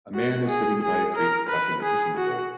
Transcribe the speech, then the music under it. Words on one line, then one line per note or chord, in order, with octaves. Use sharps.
A man is sitting by a creek, watching a fishing pole.
F#4
G#4
G#4
A#4
B4
G#4
F#4